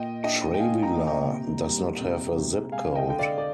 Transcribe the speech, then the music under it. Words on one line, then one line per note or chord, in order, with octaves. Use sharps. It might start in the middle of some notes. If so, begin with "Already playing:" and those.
Travilah does not have a zip code.
Already playing: A#2 D#5 G5
D4 D#5 G5
G5
A#2 F5 G#5
G5 A#5
A#2
G5 A#5
C3
G3
C3
C3
G#3 F5 G#5
D#5 G5
D3 G5
D5 F5
D5